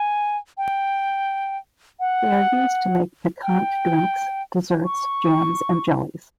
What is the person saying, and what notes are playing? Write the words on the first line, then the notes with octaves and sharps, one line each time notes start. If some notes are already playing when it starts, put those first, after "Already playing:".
They are used to make piquant drinks, desserts, jams, and jellies.
Already playing: G#5
G5
F#5
G5
C#6